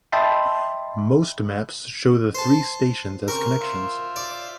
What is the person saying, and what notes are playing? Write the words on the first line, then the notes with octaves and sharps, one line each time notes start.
Most maps show the three stations as connections.
D#5 E5 G5 A5 B5 C6
C5 A5
C#3 C4 A#4 C#6
F4 C5 E5
D5